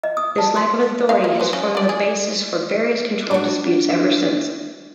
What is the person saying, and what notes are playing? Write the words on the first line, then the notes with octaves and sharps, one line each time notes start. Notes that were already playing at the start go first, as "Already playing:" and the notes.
This lack of authority has formed the basis for various control disputes ever since.
D#5
D#6
A5
C6
D#4 F5
A#3
B4 C5
C#4
D3 D5
G#4
D4 F#4